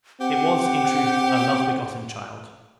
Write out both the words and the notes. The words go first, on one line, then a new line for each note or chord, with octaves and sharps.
It was, in truth, a love-begotten child!
C4 G4 F#5